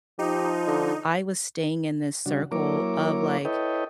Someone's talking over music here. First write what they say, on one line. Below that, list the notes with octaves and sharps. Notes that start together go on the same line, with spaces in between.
I was staying in this circle of like
F3 D#4 G4
D3
C#3 G3 D4 F#4
F#3 A#3 E4 A#4 C#5 D6
E4 A4 B4 C#5 D#5 G5